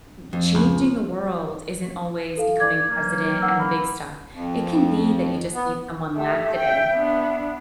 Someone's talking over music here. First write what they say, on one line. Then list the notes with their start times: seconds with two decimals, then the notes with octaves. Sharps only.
ee changing the world isn't always becoming president and the big stuff. It can be that you just made someone laugh today.
0.33 F2
0.55 C#2
2.37 A4 F5
2.60 D5 G#6
2.89 E3 F#3 A#3
3.41 F#5 E6
3.59 B5
4.33 F2
5.54 B3
6.16 A3 G4 E5
6.55 G5
6.93 B3 D4